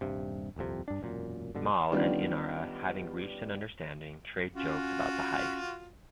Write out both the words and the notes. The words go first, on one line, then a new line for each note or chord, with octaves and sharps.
Mal and Inara, having reached an understanding, trade jokes about the heist.
D#1 G2 C3
D#1 C2 F2 C3
G2 D4
E1 F#2 A#2
G2 B2 D3
D#3 G3 B3 C#4 D4 F4
C#4 F4 F#4